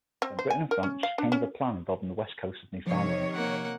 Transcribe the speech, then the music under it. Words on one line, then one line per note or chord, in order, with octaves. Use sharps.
Then Britain and France came with a plan involving the west coast of Newfoundland.
C4
C5
G#5
A#4
C#4
F5
D4
C#4
C3 D#3 F3 C#5
A#3 F#5